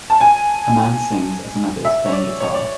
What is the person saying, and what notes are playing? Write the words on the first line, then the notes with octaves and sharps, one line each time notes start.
A man sings as another is playing guitar.
A5
G#5
E5
C#5
D5
C#5
D5